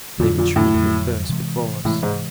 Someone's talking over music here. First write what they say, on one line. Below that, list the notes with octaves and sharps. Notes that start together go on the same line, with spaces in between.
They retreated, at first, before us.
F2 A#2 D3 F#3
A#2
A2
F2 D3 F#3
C3 E3 G#3
A2 C3 E3 G#3
G#2